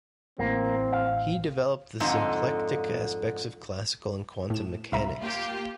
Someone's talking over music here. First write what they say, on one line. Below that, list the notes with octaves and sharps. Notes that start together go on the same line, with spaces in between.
He developed the symplectic aspects of classical and quantum mechanics.
A1 A2 A#3 C4
F5
F2 G#2 D3 D#4
A2 E7
C2 E5 A#5
A#3 F4 G4